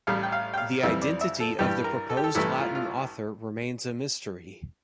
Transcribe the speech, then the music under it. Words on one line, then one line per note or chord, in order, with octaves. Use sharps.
The identity of the proposed Latin author remains a mystery.
A1 A2 G3 F5
G5
F5
G5
F5
F2 E3 G3 E5
D5
E5
A4
G2 E3 G3 G4
A#4
A4
G4
A4
A1 G2 E3 A3 E4
F4
F4